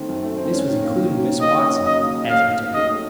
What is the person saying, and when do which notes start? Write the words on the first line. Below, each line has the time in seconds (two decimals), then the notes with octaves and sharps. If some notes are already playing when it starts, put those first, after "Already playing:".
This was including Miss Watson, as I took it.
Already playing: D#3 A3 C4
0.09 F#2
0.23 A3
0.38 C4
0.53 C#4
0.68 D#3
0.82 A#3
0.97 D#3
1.12 C#4
1.26 D#3
1.41 A#3 D#5
1.56 C#4
1.71 F#3
1.85 C#3 D#5
2.00 A#3
2.15 C#4
2.29 A3 F5
2.45 D#3
2.60 F#3
2.74 D#3 D#5
2.89 A3